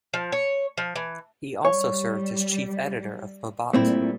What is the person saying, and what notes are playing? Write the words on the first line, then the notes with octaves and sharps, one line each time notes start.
He also served as chief editor of Mabat.
F3
C#5
F3
E3
G3 C#5
A#2 G3 A3 C4 E4